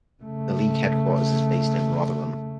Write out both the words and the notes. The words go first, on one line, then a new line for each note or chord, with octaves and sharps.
The League headquarters is based in Rotherham.
C#3 A3